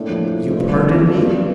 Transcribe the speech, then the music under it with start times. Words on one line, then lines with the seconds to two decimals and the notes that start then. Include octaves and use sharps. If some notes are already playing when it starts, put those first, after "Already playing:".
"You pardon me?"
Already playing: A2 A#3 D4
0.09 F3
0.25 F4
0.40 A3
0.49 G#2
0.55 G2 C#4
0.71 F2 F#3
0.86 E2 F#4
0.97 E2
1.02 F2 A#3
1.17 G2 D4
1.33 F3